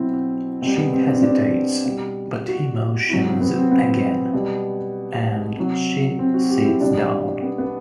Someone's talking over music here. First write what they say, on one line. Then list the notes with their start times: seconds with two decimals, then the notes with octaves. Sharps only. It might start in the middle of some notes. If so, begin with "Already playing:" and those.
She hesitates, but he motions again, and she sits down.
Already playing: B2 F#3 C4 E4
0.62 B2 G3 C4
0.77 B3
0.93 C4
1.08 D4
1.15 C4
1.22 D4
1.85 B2 G3
2.48 F#4
3.09 C3 F#3 E4
3.25 C4
3.40 B3
3.56 C4
3.71 B3
4.33 B2 G3
5.57 C3 F#3
6.19 C4
6.34 F#4
6.50 G4
6.65 E4
6.81 B2 G3 D4
7.42 B3
7.58 B3